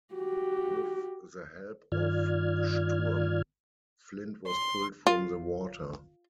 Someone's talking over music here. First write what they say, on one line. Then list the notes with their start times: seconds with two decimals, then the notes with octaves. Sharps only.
With the help of Sturm, Flint was pulled from the water.
0.14 F#4 G4
1.92 G2 D#3 F4 D5 F6 G#6
4.46 C6
5.07 F4